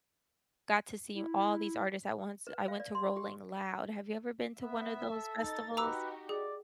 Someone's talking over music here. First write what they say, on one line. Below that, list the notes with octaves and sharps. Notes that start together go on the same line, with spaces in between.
got to see all these artists at once. I went to Rolling Loud. Have you ever been to one of those festivals?
E4
B4
F5
D5
C6
G4
B3 E5
A4
D#4 A6
D#4 F#4 G4 B4 A#5 D6 E6
G#4 D5